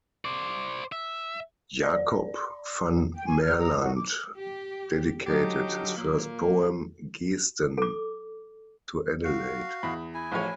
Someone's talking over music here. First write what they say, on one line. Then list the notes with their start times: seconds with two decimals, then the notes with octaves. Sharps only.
Jacob van Maerlant dedicated his first poem, "Geesten", to Adelaide.
0.25 C5 D5
0.92 E5
1.83 D5
3.14 G5
3.26 G#5
3.41 F6
3.59 A#5
3.80 F#4
3.95 D6
4.35 G4
5.27 D3 F#3 D#4 G4
5.96 A#2 A#3
7.78 A4 D6
9.24 F#4 F5
9.83 E2 B5
10.14 E4 G#5
10.32 A1 F3 C#5